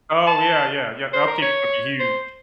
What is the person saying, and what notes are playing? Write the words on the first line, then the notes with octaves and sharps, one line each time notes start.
Oh, yeah, yeah, yeah, the upkeep's gonna be huge.
A5
C5
A#4
C#5
C5